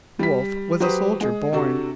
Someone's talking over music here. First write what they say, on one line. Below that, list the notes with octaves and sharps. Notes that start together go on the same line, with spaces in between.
Wolfe was a soldier born.
G3 B6
F#3 G4 B4 C5 D#6
G#3 G#4
C3 D4 F#4 A4